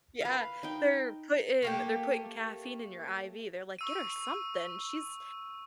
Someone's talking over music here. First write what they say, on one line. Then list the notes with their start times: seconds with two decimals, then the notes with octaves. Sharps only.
Yeah, they're putting they're putting caffeine in your IV, they're like, "Get her something, she's
0.21 B4 F5
0.63 D#4 G5
1.62 A3 A#3 G4
3.79 C#6 E6 D#7